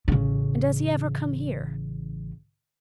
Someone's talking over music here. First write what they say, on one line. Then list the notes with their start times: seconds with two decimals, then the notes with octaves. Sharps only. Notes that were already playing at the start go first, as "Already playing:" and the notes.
'And does he ever come here?'
0.08 A1 C#3